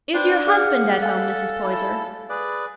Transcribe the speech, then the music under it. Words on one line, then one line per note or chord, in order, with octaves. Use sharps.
"Is your husband at home, Mrs. Poyser?"
D4 B4 C5 G5
G#4 F5 F#5 F6
A4 F5 G#5
E4 A5
G#4 B4 D5